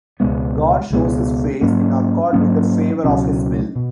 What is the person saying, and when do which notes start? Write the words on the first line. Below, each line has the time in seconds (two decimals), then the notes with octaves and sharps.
God shows his Face, in accord with the favour of his will.
0.20 C#2 B2 G#3 B3
0.90 C#2 B2 G#3 B3
1.61 G#2 F#3 A#3 C#4
2.33 G#2 F#3 A#3 C#4
3.04 C#2 B2 F#3 C#4
3.76 B2